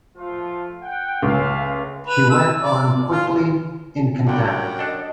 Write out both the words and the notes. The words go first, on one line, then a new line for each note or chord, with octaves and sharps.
She went on quickly, in contempt.
F3 A3 F4
F#5 G5
C#2 A3 E5 F5
B4
E6
D5
F4
F#2 A#2 D3 G3 F#5 G5
D4 A4 D#5